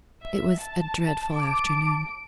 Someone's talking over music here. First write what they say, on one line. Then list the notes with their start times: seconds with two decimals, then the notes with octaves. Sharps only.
It was a dreadful afternoon.
0.23 E5
0.57 A5
1.34 A5 D6 D7